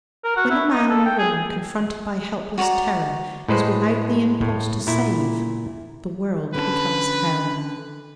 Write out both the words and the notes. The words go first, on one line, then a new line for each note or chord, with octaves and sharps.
When a man or woman, confronted by helpless terror, is without the impulse to save, the world becomes hell.
A#4
F#4
E4
D#4
A4
G5
G#4
F#4 C#5 D5 A#5
A2 G#3 B4 C5
A2
A#2 E4
D3 C#4 B4 A5